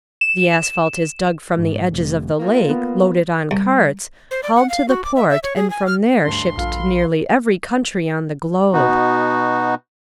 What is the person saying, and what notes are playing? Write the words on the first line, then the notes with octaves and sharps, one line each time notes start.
The asphalt is dug from the edges of the lake, loaded on carts, hauled to the port and from there shipped to nearly every country on the globe.
E7
G#2
F1
A#3 F4
B3
C2
C5
D5
F#5
F5
F#4
D6
E5
E5
C#5
G#4
G#5
F6
D2 G2 C6
A#1 F4 A4 B4
B2 B3 D#4 F#4